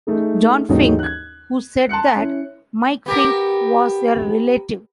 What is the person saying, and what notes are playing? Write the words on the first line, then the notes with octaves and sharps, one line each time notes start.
John Fink, who said that Mike Fink was a relative.
A3 D#4 G#4
D#2 G#2 E3 F#3 G#3 D#4
F#6 G#6
A5 C6 F#6 C#7
C#4 E4
B3 G4 A#4